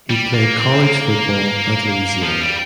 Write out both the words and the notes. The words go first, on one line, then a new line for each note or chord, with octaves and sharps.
He played college football at Louisiana.
G3
A#3
C4
A#3
F3
G3